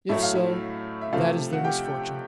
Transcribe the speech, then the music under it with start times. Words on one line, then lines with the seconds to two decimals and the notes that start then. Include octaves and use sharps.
If so, that is their misfortune.
0.09 A2 F#3 A3 E5
0.23 F5
0.35 E4 E5
1.01 E5
1.13 C3 F3 A3 F4 F5
1.53 F#5
1.65 G4 G5